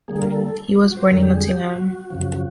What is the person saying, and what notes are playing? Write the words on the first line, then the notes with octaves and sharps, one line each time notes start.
He was born in Nottingham.
D3 G3 A#3 G#4
A#4
A4
A4
F#4
C5
F2 D3 G3 A#4
G4
G#4
G4
F#4
F#2 C#3 F3